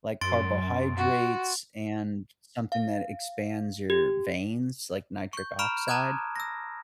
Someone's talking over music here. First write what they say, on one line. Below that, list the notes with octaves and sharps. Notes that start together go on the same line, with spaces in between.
like, carbohydrates and something that expands your veins, like, nitric oxide,
F#2 C6 A6 D7
F#4
F5
G4
C#6 G6
A#5 B5 C#6 F6 D7 E7
A5 A#5 D6 D#6 F#6 G#6
E6 A#6